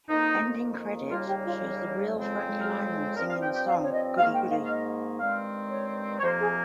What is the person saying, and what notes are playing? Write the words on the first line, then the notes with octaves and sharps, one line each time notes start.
Ending credits shows the real Frankie Lymon singing his song Goody Goody.
F2 D#3 A#3 D#4
D#2 C#3 G3 A#3 F4
G4
F4
F2 C#3 G#3 C4
A#4
G#4
G2 F3 C4 A#4
F5
G5
G5
F5
C#5
D#5
G#2 D#3 A#3 F5
G5
F5
F5
D#5
G2 D#3 G#3 C4 F5
C#5
C#5
F2 C3 F3 A#3 C5
G#4